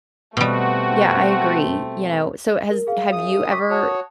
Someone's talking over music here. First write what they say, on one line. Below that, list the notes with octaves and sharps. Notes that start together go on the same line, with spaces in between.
Yeah, I agree, you know, so has have you ever,
B2 G3 A3 C4 F#4
A#4
G#4 F5
F#2 D#6
C#6 D6 B6
F#4 C#5 A5 D#6